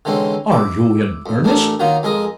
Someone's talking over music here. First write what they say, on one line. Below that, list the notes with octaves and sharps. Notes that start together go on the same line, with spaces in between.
"Are you in earnest?"
D3 E3 G#3 C4 C#4
E4 D6
F2
A1 A3 D4 A#4
D#3 F#3 A#3 D#4 F4
F2 G#3 G#4 A#4 D#5